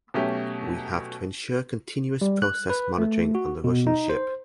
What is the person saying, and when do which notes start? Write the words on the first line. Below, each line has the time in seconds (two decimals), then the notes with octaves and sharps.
We have to ensure continuous process monitoring on the Russian ship.
0.14 B2 F#3 A3 C#4 G4
2.21 G3
2.42 F#6
2.70 B4
2.98 A3
3.35 F#4
3.64 B2
3.87 D#4
4.09 C5